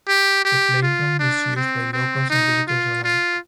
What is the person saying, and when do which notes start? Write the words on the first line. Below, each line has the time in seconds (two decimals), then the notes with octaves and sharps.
The playground is used by locals and visitors alike.
0.08 G4
0.45 G4
0.82 F4
1.19 D4
1.56 C4
1.93 C4
2.30 D#4
2.68 F4
3.04 F4